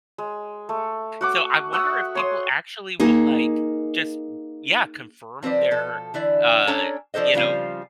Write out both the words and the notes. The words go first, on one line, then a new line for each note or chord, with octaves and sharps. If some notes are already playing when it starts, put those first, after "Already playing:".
So, I wonder if people actually will, like just yeah confirm their, uh, you know,
G#3
A3
F#4 F#5 D6
E5 F#5 C#6 D#6
C#5 C6 D#6
A#3 D#4 G#4
F3 C4 A#4 B4 D5
B2 F3 A4
D3 E3 E4 D5
C#4 D4 A4 C#5 G#5 A#5
F3 D4 A4 C5 D#5
C#3 F3 G3 C4 F4 F5